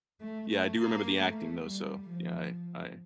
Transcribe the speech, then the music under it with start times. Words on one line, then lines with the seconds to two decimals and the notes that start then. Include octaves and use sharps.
yeah, I do remember the acting, though, so yeah, I I
0.21 A3
0.49 A3
0.79 A#3
1.22 A3
1.66 G3
2.09 F3